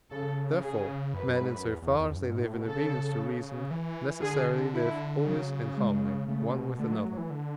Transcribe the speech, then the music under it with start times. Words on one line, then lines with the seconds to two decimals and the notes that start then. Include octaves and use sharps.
Therefore, men in so far as they live in obedience to reason, necessarily live always in harmony one with another.
0.11 C#3 A4
0.62 G#4
1.13 F#2 B4
1.27 F#2
1.40 G#2
1.53 F#2
1.66 E2
1.82 E2
2.00 E2
2.11 E2
2.16 F#2
2.29 G#2
2.43 A2
2.56 B2
2.68 C#3 A4
3.71 E3
4.22 D3 G#4
4.74 E4
5.25 C#3 F#3
5.77 G#3
6.27 C#3 A3
6.53 B2
6.78 D3 A3
6.92 F#3
7.05 F#3
7.18 E3
7.30 D3